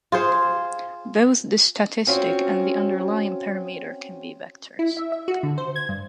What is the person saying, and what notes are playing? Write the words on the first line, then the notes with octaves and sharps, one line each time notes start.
Both the statistic and the underlying parameter can be vectors.
F4 G#4 C5
C4 C#4 F4 F#4
E4
E5
E5
F#4
D3
C5
G#6
G2